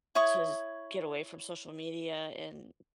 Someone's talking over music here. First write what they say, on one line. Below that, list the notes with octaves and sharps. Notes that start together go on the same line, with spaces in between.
to just get away from social media and
E4 C#5 C#6 D#6